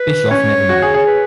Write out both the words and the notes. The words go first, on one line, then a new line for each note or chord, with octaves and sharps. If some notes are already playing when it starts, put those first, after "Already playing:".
Bischoff never married.
Already playing: B4
C#4 C#5
F#4
G#4
G#4 C#5
B4